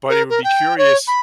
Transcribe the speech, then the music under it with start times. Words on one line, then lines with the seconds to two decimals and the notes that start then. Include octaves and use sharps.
but it would be curious
0.09 A#4
0.30 A#4
0.44 G5
0.78 C#5
1.08 B5